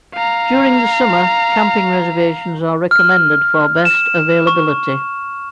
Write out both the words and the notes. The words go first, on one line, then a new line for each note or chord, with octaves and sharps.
During the summer, camping reservations are recommended for best availability.
F5 A#5
F6
E7
C#6